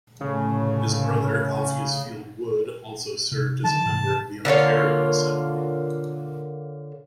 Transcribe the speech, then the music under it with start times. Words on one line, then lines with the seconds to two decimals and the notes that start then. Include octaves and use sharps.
His brother Alpheus Field Wood also served as a member of the Ontario assembly.
0.21 F1 A2 C#3 A3
3.32 C3
3.64 D3 D#3 F3 A5
3.85 G#2 C3 E3
4.45 D3 A#3 F4 C#5